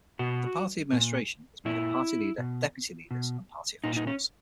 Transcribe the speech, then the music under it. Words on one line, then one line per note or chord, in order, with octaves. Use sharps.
The Party Administration is made of the Party Leader, Deputy Leaders and Party officials.
B2 F#4
A#2
A#2 E4
B2
B2
A#2 D#4
D#4
C#4